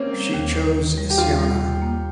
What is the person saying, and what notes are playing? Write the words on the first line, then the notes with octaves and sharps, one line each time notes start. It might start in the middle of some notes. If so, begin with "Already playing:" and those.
She "chose" Isyana.
Already playing: A#3 C4 C#4
G3
D#2
D#3
D#2
G3
G4
D#2 F4
G3
D#2
A#3